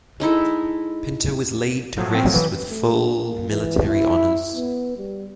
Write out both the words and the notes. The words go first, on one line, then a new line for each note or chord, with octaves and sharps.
Pinto was laid to rest with full military honours.
G#3 D#4 E4 A4
A2 F3 F#3
C4
E3
A3
A#3
E3
E4
B3
G3